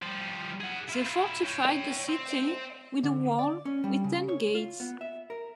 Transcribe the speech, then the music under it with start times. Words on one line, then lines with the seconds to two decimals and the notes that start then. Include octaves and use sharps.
They fortified the city with a wall with ten gates.
0.02 F3 G3
0.61 G#4 F#5
0.89 E4 F4
1.43 C#5 G5
2.09 C4
3.03 D3
3.39 D5
3.65 C#4
3.84 G3
4.04 C#3
4.29 C#5
4.55 F4
4.80 B3
5.01 E5
5.30 A#4